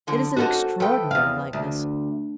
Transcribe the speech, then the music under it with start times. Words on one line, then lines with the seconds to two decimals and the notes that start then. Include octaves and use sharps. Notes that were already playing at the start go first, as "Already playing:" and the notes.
It is an extraordinary likeness.
0.07 F#2 D3 F3
0.36 A#3 C#4 D#4 F#4 A4 C5
0.80 F3 A3 B4 G5
1.11 E2 F5
1.53 D2